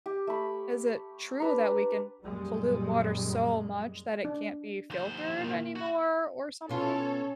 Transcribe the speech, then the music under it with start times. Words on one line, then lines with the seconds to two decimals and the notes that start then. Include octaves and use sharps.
is it true that we can pollute water so much that it can't be filtered anymore or something?
0.06 G4
0.27 A3 B5
1.40 D4 B4 A#5
2.24 F#2 A#2 G3 G#3
4.25 D4
4.90 D#2 C5
5.38 A#2 A#3
5.76 F#4
6.69 B2 C#4 F4 A4 C#5